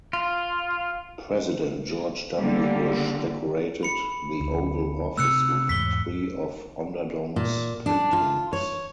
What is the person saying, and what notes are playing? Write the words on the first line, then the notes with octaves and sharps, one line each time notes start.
President George W. Bush decorated the Oval Office with three of Onderdonk's paintings.
F4
D3 G3 A#3
B5 C#7
D2
C3 A3 E6 F#6 C#7
E2 G#2 B6 G7
A#2
D4
F4
C#5